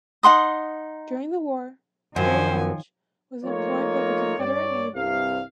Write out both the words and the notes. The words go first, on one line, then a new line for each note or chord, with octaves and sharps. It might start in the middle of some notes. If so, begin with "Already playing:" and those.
During the war, De Large was employed by the Confederate Navy.
D#4 F#5 C6 D#6
F#2 D#3 F3 C5 G#5
F3 A3 A#3 D#4 F4 C#5
G2 C#5 D5
C2 G2 C3 F5